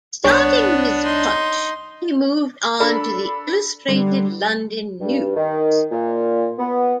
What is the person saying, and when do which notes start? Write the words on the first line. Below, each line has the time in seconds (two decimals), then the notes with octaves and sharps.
Starting with "Punch", he moved on to the "Illustrated London News".
0.24 C2 B3 D4 C#5
1.04 D#4 C6
2.80 D4 A4 B5
3.88 D3 G3
5.01 G2
5.37 D#3
5.92 A#2
6.59 B3